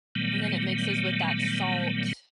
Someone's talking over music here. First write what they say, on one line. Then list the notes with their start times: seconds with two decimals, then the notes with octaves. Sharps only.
And then it mixes with that salt.
0.15 A#2 D#3 F#3 G3 A3 B3